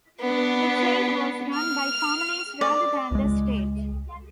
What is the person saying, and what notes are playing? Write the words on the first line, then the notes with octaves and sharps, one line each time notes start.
The trade was run by families rather than the state.
B3 D4
F6
D5
C#2 G#3